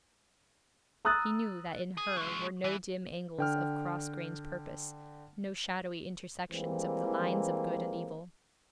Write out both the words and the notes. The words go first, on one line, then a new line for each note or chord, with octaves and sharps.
He knew that in her were no dim angles of cross-grained purpose, no shadowy intersections of the lines of good and evil.
A#5 D#6 E6 F#6 A6
G#4
F#3 G#3
E3
D3 G5 F6
E3 G3 G#3 A#3 C4